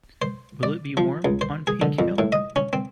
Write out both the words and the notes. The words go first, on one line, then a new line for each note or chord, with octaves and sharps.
Will it be warm on Pink Hill?
C5
D5
F3
C#2
C5
G#4
D3
F2
A2
D#5
C#4
C4